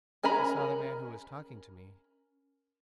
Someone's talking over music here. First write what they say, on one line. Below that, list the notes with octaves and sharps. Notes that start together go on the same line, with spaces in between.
She saw the man who was talking to me.
C#4 A#4 G#5 A#5 B5